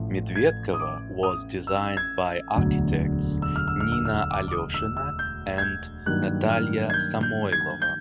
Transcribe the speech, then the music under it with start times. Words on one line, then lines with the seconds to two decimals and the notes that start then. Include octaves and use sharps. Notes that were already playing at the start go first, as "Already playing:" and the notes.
Medvedkovo was designed by architects Nina Aleshina and Natalya Samoilova.
Already playing: A1 A2 F3 A3
0.35 G#6
0.74 D#6
0.80 D6
1.23 D#6
1.67 E6
1.97 G#6
2.55 E1 D2 D3 F#3
3.42 E6
3.56 F6
3.68 E6
3.80 F6
3.92 E6
4.05 F6
4.18 E6
4.31 D6
4.48 D6
4.52 D#6
4.74 E6
4.97 E6
5.19 G6
5.58 G#6
5.62 G6
6.06 G2 D#3 F#3 A#3 F#6
6.50 F6
6.90 G#6
6.94 G6
7.23 G6
7.52 G#6
7.82 G6